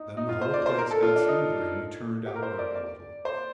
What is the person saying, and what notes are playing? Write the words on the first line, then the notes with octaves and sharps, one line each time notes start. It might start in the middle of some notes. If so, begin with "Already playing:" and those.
Then the whole place got smoother and we turned outward a little.
Already playing: D#4
D#4
F4
C5
D5
C5
A#4
A4
F4
D4
D#4
G4
A#4
C5
D5
D5
C5